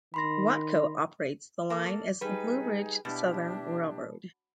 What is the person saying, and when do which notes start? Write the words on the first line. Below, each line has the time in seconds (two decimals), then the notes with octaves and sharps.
Watco operates the line as the Blue Ridge Southern Railroad.
0.14 D#3 B5 C6 A#6
1.70 A#3 A4
2.21 G3 D#4 G#4 B4
3.05 B2 D4 E4 G4